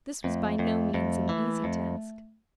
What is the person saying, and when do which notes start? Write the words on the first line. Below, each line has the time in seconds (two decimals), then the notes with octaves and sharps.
This was by no means an easy task.
0.24 F2 A3
0.59 F2
0.94 F2
1.29 E3
1.64 F2